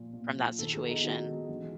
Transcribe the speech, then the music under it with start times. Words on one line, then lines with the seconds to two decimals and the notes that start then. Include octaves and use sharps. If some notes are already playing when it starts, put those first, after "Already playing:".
from that situation.
Already playing: A#2 F3
0.13 A#2
0.36 F3
0.58 D#3 A4
0.74 G#4
0.82 B3
0.89 D#4
1.03 D#3 F#4
1.26 G#3
1.49 E3